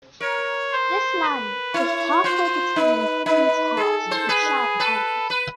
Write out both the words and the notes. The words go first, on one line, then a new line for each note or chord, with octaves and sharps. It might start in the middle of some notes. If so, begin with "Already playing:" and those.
This land was halfway between Kingshurst and Shard End.
A#4 C#5
C5
B4
E4 C#5
F4 C5
D#4 B4
D#4 B4
G#4 A4
C5
G#4 B4
A4 B4
B4